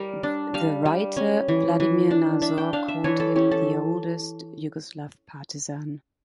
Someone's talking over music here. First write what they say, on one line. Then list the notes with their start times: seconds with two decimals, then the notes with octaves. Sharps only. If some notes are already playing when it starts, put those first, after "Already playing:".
The writer Vladimir Nazor called him the oldest Yugoslav Partisan.
Already playing: G3 A#4
0.23 D4
0.54 G3 F5
0.86 G3
1.17 C#4
1.48 E3
1.80 E3
2.11 D4
2.42 D4 E5
2.58 G5
2.73 D4 F5
2.88 E5
3.04 E3 C#5
3.20 A4
3.36 C#4 G4
3.51 A4